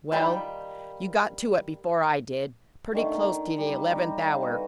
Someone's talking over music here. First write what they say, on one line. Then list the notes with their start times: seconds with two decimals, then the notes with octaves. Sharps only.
Well, you got to it before I did--pretty close to the eleventh hour!
0.12 D#3 G3 F4 G5 B5
2.93 D3 D#3 A3
3.14 A#4
3.58 G3
3.88 G3 F#4 G5
4.21 F5
4.43 F#4 A4 B4